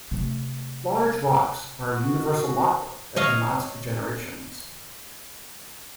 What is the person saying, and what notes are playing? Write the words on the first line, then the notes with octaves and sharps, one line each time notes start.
Large rocks are a universal marker that can last for generations.
C3 A3
F#4
C#5 D#5 F5